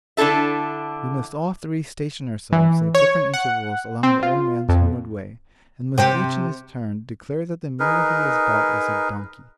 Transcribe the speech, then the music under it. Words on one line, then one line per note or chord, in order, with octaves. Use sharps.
'We must all three station ourselves at different intervals along the old man's homeward way, and must each in his turn declare that the mule he has bought is a donkey.
D3 D4 E4 A4 E5
E3
C#5
F#5
C4
F4
F2
C3 C4 G4
D#4 G#4 A#4 B4